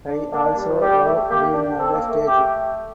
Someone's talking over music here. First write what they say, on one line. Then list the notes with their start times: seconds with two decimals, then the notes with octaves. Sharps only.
I also love being on the stage.
0.08 D4
0.32 A#3 D4
0.45 A#3
0.57 G3
0.69 F3
0.81 G3 G4
1.05 A3
1.30 A#3 G4
1.53 D4
1.78 C4 A4
1.94 A#3
2.10 A3
2.27 G4